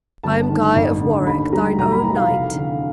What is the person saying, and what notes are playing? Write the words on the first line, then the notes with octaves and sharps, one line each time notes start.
I am Guy of Warwick, thine own knight.
G1 A5
D#3
A1
D3
D#2 B5
G3 A#5
B1 A#5
B5
E3 A#5
F5
F1
D3